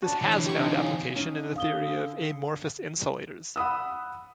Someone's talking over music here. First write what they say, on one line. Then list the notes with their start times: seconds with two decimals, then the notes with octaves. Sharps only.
This has found application in the theory of amorphous insulators.
0.02 C#4 D4 F#4 A5
0.22 D3 E3 C#5
0.46 G4 C#6
0.59 C4 D4 D#4
0.81 C#5 F5 G#5
1.16 C#4 D#4
1.56 D3 F5 D#6 G7
3.56 F#5 B5 D#6 E6